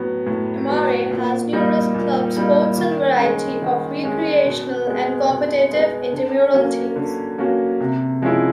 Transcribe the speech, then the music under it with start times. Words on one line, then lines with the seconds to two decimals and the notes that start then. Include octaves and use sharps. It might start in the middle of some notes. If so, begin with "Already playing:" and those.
Emory has numerous club sports and a variety of recreational and competitive intramural teams.
Already playing: A2 F#3 B3
0.26 A2
0.69 F#3 B3
1.11 A#2
1.53 G3 A#3 D#4
1.95 A#2
2.36 G3 A#3 D#4
2.78 D#3
3.19 G#3 C#4
3.62 D#3
4.03 G#3 C#4
4.45 B2
4.87 G#3 B3
5.30 B2
5.71 G#3 B3
6.13 D3
6.54 F#3 A#3 C#4 F#4
6.96 D3
7.38 F#3 A#3 C#4 F#4
7.80 C3
8.22 F3 G#3 C#4 E4